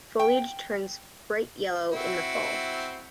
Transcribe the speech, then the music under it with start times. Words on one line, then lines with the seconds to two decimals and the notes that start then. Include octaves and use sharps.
Foliage turns bright yellow in the Fall.
0.19 G5
1.92 C4 E4 F#4